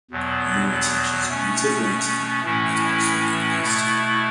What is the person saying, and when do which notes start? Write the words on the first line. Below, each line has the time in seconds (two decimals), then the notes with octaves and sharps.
Moore teaches Creative Writing at Oxford University.
0.11 E2 B2 F#3
1.27 B2 A3 C#4
2.44 A2 E3 A3 C#4 E4
3.60 B2 A3 E4